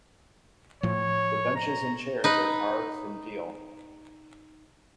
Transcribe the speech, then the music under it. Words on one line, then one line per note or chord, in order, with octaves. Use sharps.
The benches and chairs are carved from deal.
A2 F3 C#5
A#5
D#4 B4